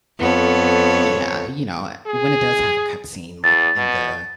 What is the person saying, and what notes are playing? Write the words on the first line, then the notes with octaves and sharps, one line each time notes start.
Yeah, you know, when it does have a cut scene, like, in the
F2 B3 A4 C#5
G#4
E2 A6
B2